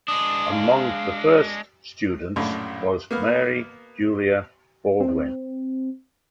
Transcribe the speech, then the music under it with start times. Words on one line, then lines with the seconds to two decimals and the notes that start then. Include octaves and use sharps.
Among the first students was Mary Julia Baldwin.
0.08 G#3 D4 D#6
0.52 F5
2.36 A#1 F#2 A2 D4
3.11 A#3 B3 F6
5.01 C4